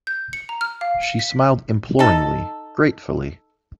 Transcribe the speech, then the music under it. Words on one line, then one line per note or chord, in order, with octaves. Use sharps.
She smiled imploringly, gratefully.
G6
C#7
A#5
F6
F5
C#7
B6
D#4 A4